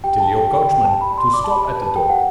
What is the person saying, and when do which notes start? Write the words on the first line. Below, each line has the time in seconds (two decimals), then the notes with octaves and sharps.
"Tell your coachman to stop at the door."
0.04 G4 G5
0.20 A5
0.25 G4
0.36 G5
0.47 G4
0.52 G5
0.69 G4 G5
0.85 A5
0.91 G4
1.01 B5
1.12 D5
1.18 C6
1.33 D5 D6
1.44 A5
1.50 B5
1.56 G4
1.67 A5
1.77 B4 A5
1.96 G4 G5
2.10 F#5